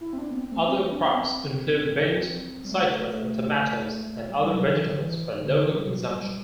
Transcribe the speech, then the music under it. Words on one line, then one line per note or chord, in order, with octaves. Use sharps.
Other crops include beans, citrus and tomatoes, and other vegetables for local consumption.
E4
C4
D4
B3
C4
A3
C4
D4
B3
C4
G3
A3
A3
G3
G3
F#3
F#3
E3
D3
E3
D3
E3
G3
F#3
G3
G3